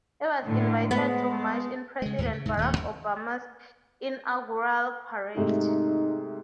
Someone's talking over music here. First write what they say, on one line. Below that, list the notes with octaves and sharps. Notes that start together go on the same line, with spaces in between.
It was invited to march in President Barack Obama's inaugural parade.
A2 D3
G#3 B3
C#3 G#3
D#2 A2 F3 G#3
C#3
C2 G#2
D#1 D#2 C#3 A3
D#2
G#2 C3 A3 D#4